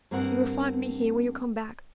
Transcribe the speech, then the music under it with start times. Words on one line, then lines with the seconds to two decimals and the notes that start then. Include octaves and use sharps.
"You will find me here when you come back."
0.11 G2 A#3 C4 A#4 F#5